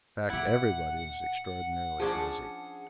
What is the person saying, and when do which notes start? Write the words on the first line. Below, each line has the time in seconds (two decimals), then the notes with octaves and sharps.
In fact, everyone is extraordinarily busy.
0.30 A#2 B3 E4 G4 F#5
2.00 F3 C#4 D4 G#4